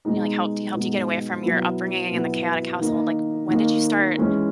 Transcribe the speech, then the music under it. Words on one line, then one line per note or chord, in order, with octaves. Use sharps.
You know, like, helped y helped you get away from your upbringing, and the chaotic household like, w when did you start
B2 G#3 D#4
B2 G#3 D#4
B2 F#3 B3 E4
B2 F#3 B3 E4
D#3 A#3 D#4
D#3 A#3 D#4
E3 G#3 C#4